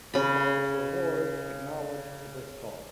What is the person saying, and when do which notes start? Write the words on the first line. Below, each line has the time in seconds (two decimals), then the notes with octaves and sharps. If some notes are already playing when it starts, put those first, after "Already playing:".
First Officer Ward acknowledged this call.
0.14 C#3 B5